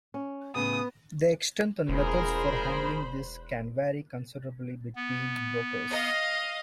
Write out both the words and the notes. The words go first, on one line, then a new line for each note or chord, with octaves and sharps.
The extent and methods for handling this can vary considerably between brokers.
C#4
A2 C#3 B3 D#6
E1 A#1 G#4 A#4 C5 B5
B3
D#5 F5